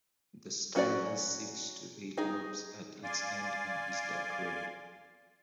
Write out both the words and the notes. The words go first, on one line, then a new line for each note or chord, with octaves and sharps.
The style has six to eight lobes at its end and is dark red.
F#3 C#4 F#4 A#4 D5
D#4 G#4
D5 F5 G#5 C6 D6